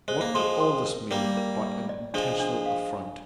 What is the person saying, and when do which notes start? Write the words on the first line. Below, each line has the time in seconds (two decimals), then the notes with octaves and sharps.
What could all this mean but an intentional affront?
0.08 G#3 C5
0.21 A#3
0.35 F3 G#3 C6
0.60 C6
0.86 A#4
1.11 G3 A#3 A#4
1.37 A#4
1.63 D5
1.89 D5
2.14 F3 G#3 D4
2.40 D4
2.66 F5
2.91 G#5